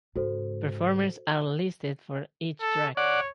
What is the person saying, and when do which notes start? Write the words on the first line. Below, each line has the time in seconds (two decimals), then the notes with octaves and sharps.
Performers are listed for each track.
0.16 G#2 C#3 F#4 A4 C5
2.61 A4
2.97 C#5 D5 F#5